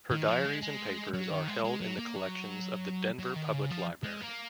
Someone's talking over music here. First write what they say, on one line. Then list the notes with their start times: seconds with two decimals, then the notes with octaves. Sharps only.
Her diaries and papers are held in the collections of the Denver Public Library.
0.11 D#3
0.28 F3
0.45 G#3
0.62 G#3
1.14 F#3
1.30 D#3
1.48 G#3
1.65 G#3
1.81 F#3
1.99 A#3
2.16 F#3
3.19 F#3
3.36 D#3
3.53 C#3
3.71 F3
4.04 G#3
4.22 A#3